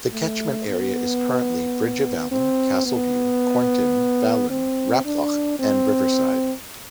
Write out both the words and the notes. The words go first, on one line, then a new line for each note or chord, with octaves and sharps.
The catchment area is currently: Bridge of Allan, Castleview, Cornton, Fallin, Raploch and Riverside.
A3
B3
C4
B3
C4
D4
C4